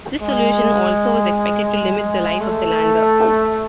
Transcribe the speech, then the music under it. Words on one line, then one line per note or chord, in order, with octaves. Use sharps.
This solution also was expected to limit the life of the lander.
G#3
A3